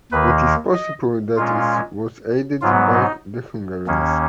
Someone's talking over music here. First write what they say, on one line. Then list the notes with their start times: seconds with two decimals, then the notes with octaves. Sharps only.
It is possible that it was aided by the Hungarians.
0.12 D#2 D#3 A#3 B4
0.74 D#5
1.37 A#2 G#3 C#4 F4
2.62 G#2 F#3 B3 F4
2.93 D#4
3.87 D#2 D#3 A#3 C#4